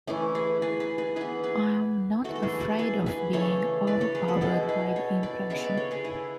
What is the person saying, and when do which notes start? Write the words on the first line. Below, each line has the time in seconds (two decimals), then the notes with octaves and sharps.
I am not afraid of being overpowered by the impression.
0.07 E3 A3 C#4 E4
0.35 G#4 B4
0.62 G#4 B4
0.80 G#4 B4
0.98 G#4 B4
1.16 E3 B3 G#4 B4
1.43 G#4 B4
2.24 E3 A3 F#4 A4
2.36 A4
2.42 E4 G#4
2.60 F#4 A4
2.79 G#4 B4
3.06 G#4 B4
3.33 C#3 E3 A3 A4 C#5
3.87 B4 D5
4.01 A4 C#5
4.15 G#4 B4
4.28 F#4 A4
4.41 B2 G#3 B3 E4 G#4
4.69 G#4 B4
4.96 A4 C#5
5.23 B4 D5
5.50 C#3 G#3 B3 C#5 E5
5.64 B4 D5
5.77 A4 C#5
5.91 G#4 B4
6.04 E4 G#4